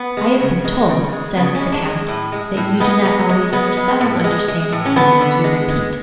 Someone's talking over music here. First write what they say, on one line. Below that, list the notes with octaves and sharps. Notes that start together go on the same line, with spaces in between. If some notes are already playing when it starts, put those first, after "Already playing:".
"I have been told," said the count, "that you do not always yourselves understand the signals you repeat."
Already playing: B3
G#3
C#3
G#3
C#3
G#3
C#3 B3
C#4
G#3
D4
G#3
A2
G#3
A2
G#3 B3
G#3
G#3
G#3 B3
G#3
A2
G#3
G#3
A2
C#4
D3 B3
D3
G#3
G#3